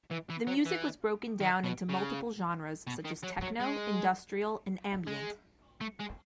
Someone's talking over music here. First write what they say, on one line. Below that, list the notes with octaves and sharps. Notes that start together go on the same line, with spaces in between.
The music was broken down into multiple genres such as techno, industrial, and ambient.
E3
E3
F#3
E3
D#3
B2
C#3
B2
D#3
F#3
F#3
G#3
G#3
A3
G#3